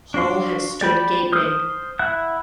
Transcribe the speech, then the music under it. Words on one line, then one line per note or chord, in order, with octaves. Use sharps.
Hall had stood gaping.
D4 F#4 F5 C6
D5 G5 B5
C5 D#6 F6
E4 E5 F#5 F#6